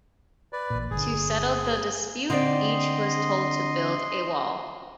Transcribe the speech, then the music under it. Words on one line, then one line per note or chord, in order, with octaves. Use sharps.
To settle the dispute, each was told to build a wall.
B4 D5
A1 A#2
G1 D3 G#4
D3 C4 D5 D#5 C6